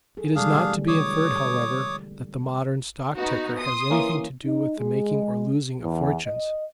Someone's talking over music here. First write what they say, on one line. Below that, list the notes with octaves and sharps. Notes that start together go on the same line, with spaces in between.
It is not to be inferred, however, that the modern stock ticker has anything to do with the making or losing of fortunes.
F#3 G#4 A4
E3 G3 G#3 D4 G#4 F5
B2 E3 A3
D3 F#3 C#5 D6 D#6
B3 D#4 F#4
C6 D#6
E3 A#3 C#4
D#4
G#3
E2
D#5